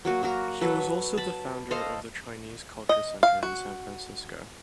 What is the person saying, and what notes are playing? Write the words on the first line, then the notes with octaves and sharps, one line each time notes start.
He was also the founder of the Chinese Culture Center in San Francisco.
F#3 A#3 F#4
A#3 F#4 A#4
F#3 A4 B4
A5 B5
A4 C5 D#5 F5
D#5
F5
F#4